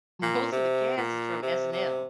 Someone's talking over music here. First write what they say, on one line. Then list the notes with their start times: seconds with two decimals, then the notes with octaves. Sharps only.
most of the cast is from SNL.
0.22 A#2
0.52 C3
0.97 A#2
1.42 C3
1.72 C3